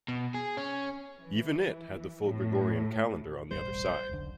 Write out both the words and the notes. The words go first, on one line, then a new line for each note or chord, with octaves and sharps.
Even it had the full Gregorian calendar on the other side.
B2
G#4
C#4
E3
A2
E1 A1 G3 C5
E1 B1 D3